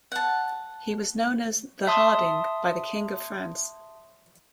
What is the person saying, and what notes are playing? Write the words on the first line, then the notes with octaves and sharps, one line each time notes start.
He was known as "the Harding" by the king of France.
F#5 A5
E5 A5 C6 D#6